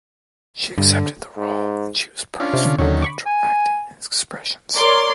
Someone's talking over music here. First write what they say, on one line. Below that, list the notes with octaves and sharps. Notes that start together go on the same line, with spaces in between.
She accepted the role and she was praised for her natural acting and expressions.
G2 D3
G#2
C#4 D4 F4
C3
D3
D#2 D3 D#3 F#3 C#4 C#5
B5 C#6 D6
G#5
A#4 C#5 D5 C6 D6